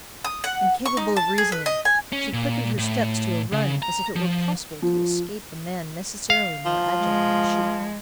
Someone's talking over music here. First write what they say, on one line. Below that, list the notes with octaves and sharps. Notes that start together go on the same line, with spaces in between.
Incapable of reasoning, she quickened her steps to a run, as if it were possible to escape a man necessarily more agile than she.
D#6
F#5
C#6
D#4
A5
G#4
B4
D#5
G#5
C#4
A#2
A2
C#3
A#5
F3
F3
F5
F3
G#3